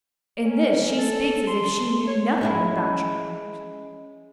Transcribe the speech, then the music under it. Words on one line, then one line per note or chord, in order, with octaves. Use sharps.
"In this she speaks as if she knew nothing about your marriage."
C#4
A4
C6
C#5
G#3 C#4 E4